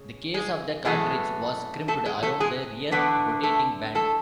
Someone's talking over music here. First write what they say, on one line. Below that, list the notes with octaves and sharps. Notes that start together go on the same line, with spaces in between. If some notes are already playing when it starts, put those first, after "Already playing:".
The case of the cartridge was crimped around the rear rotating band.
Already playing: C#3
G#3 G#4
F#2 E3 G#3 A3 G#4
A3 A4
G#3 G#4
A3 A4
G#3 G#4
E2 D3 A3 B3 D4 B4
A3 A4
A3 A4